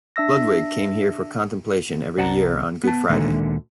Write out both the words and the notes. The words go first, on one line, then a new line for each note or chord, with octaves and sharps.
Ludwig came here for contemplation every year on Good Friday.
D4 E5 E6 A#6
C2 D5 F#5 A5 A#5
B3 A5
D2 A#2 D3 D#3 G#3 A3